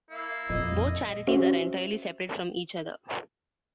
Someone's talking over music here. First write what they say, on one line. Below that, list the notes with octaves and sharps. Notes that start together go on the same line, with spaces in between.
Both charities are entirely separate from each other.
A#3 E4 F5
F2 A#2 D#5
C#4 F#4 C5 E5